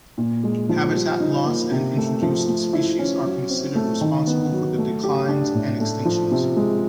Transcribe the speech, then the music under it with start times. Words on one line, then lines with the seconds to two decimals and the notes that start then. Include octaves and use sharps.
Habitat loss and introduced species are considered responsible for the declines and extinctions.
0.18 A#2
0.43 G#3
0.69 F3
0.95 G3
1.20 D#4
1.46 A#3
1.72 C3
1.97 A3
2.22 F3
2.48 A3
2.73 E4
2.99 C#4
3.24 F#3
3.50 C4
3.75 A3
4.01 D#3
4.27 B3
4.52 F#3
4.78 A3
5.03 G4
5.29 D4
5.54 A2
5.80 A3
6.05 F3
6.31 C3
6.57 G#3